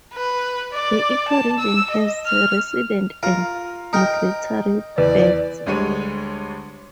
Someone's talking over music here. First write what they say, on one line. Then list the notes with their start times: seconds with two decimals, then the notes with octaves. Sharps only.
The ecoregion has resident and migratory bats.
0.13 B4
0.73 D5
1.28 A5
1.58 E6
1.91 D#5
2.26 F6
3.23 F4 A#4 A#5
3.93 D#4 A#4 G5 A#5
4.98 E2 B4 D5
5.66 D2 G3 G#3 C#5 D#7